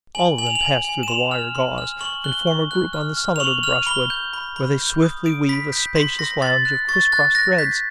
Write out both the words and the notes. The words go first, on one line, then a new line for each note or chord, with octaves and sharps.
All of them pass through the wire gauze and form a group on the summit of the brushwood, where they swiftly weave a spacious lounge of criss-cross threads.
G#5 F#7
G#5 F#7
F7
F#7
G#5
G#5
E7
C6 F7
F6
C6
F6
C#6 F#7
F#6 G7
C#6
F#6
F6
F6
F7
C#6 F#7
F6 F7
B5 G7
G6
B5
B5
G6
D#6
D#6 D7
B5 B6
G6 B6
C6 B6
C6 A#6
C6 A6
F#6
C#6 A6
F#6 A6
F#6 A#6
G6 B6